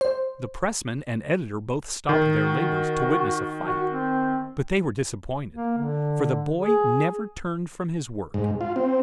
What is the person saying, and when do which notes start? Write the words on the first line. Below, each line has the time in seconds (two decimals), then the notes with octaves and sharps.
The pressman and editor both stopped their labors to witness a fight; but they were disappointed, for the boy never turned from his work.
0.01 C5
2.09 D#3
2.40 F#4
3.65 F#4
3.91 C4
5.55 A#3
5.77 D3
6.57 G#4
8.34 G#2
8.61 F4
8.76 C4